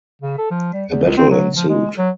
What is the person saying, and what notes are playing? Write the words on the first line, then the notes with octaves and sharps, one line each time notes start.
A battle ensued.
C#3
A4
F3
G3
E2
C#2
C4
F#3
F3
G#3
F#3